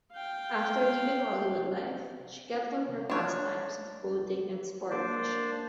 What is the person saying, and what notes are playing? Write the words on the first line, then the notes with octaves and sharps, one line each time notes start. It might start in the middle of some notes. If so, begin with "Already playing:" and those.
After leaving Hollywood life, she kept up her pastimes of boating and sport fishing.
F5 G5
D4 C#5
A#3 D4 C5 D5